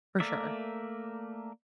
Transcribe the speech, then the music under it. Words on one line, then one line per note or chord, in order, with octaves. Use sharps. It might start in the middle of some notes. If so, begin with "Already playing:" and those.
for sure.
A3 A#3 A#4 D5 E5